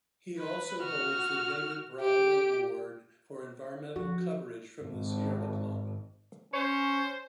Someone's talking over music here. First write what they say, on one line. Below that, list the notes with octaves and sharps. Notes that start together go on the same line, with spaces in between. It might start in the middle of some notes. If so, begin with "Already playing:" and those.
He also holds the David Brower award for Environmental Coverage from the Sierra Club.
B4
F#4 F6
G4 D7
F3 F#4
G#1
C#4 C5 C#5